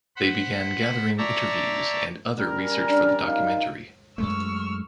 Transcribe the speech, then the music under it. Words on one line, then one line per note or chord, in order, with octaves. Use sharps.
They began gathering interviews and other research for the documentary.
C5 F#5 B5
C#5 D5 E5 G5 A5 A#5
G3 C#4 A#4
D4 D5
D#4 F5
F#2 G#3 A3 C#6 E6 F6